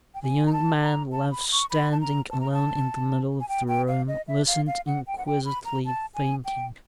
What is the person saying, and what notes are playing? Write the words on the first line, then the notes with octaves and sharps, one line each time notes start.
The young man, left standing alone in the middle of the room, listened inquisitively, thinking.
G5
G#5
A#5
A5
A#5
A5
B5
C#6
B5
A5
A#5
A5
A#5
A5
G#5
G5
G5
F5
D#5
E5
F5
F5
F#5
G5
F#5
G5
B5
A#5
A5
G#5
G5